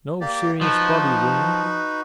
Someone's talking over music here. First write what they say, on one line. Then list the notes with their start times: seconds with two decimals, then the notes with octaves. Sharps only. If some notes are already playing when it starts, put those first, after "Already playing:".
No serious body wound.
0.21 A#3 G4 D5
0.61 F3 D#4 F#4 B4